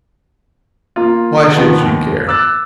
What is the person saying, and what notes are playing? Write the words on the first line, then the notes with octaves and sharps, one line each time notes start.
Why should she care?
A#3 F4
D#3 F3 B3
D#2
D6 E6 F#6 A6